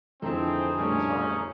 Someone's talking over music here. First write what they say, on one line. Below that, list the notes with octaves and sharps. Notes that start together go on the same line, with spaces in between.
but it's hard.
F2 D3 E3 C4 D#4 E4 G#4 A4
G3 A3 C#4 D4